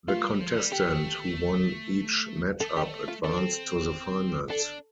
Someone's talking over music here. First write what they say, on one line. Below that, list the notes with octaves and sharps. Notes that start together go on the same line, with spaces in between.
The contestant who won each matchup advanced to the finals.
A3 F4
G3
F3
G3
A3 G4
A3 A4
G4
F4
C4 A4
D4
C4
D4 A4